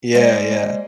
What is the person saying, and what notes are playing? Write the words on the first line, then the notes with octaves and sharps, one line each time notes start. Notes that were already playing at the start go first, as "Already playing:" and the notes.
Yeah, yeah.
G3 G#3 A#3 C5 D#5